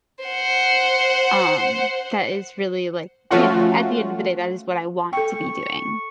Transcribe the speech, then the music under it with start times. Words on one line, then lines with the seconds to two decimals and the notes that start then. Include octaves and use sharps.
Um, that is really, like you know, at the end of the day, that is what I want to be doing.
0.25 C5 F#5
3.30 F3 A3 C#4 F4 F#4
5.13 A4 G5 C#6